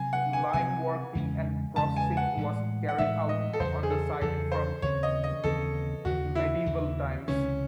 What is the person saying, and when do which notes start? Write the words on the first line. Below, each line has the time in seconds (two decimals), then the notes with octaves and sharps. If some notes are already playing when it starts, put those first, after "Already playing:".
Lime working and processing was carried out on the site from medieval times.
Already playing: C3 F#3 C4 G#5
0.13 F#5
0.33 G#5
0.53 C3 F#3 C4 G#5
1.15 E2 C#3 G#3 C#4
1.76 E2 C#3 G#3 C#4 A5
1.96 G#5
2.17 F#5
2.37 A2 E3 G#3
2.88 F#5
2.98 A2 E3 G#3 E5
3.29 D#5
3.53 A4
3.60 E2 C#3 F#3 C5
3.83 G#4
3.90 A4
4.21 E2 C#3 F#3 A4
4.52 C5
4.82 D#2 C#3 E3 C4 C#5
5.03 D#5
5.24 D#5
5.44 D#2 C#3 E3 C4 A4
6.05 D#2 C#3 E3 F#4
6.35 E4
6.66 D#2 C#3 E3
7.28 C#2 C3 E3 C#4